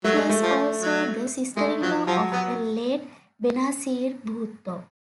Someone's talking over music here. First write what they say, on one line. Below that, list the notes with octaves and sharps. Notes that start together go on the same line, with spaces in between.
She is also the sister-in-law of the late Benazir Bhutto.
F#3 A3
G#3
A3
F3
F#3
G#3 A3
F3 F#3
F3 F#3
F#3 B3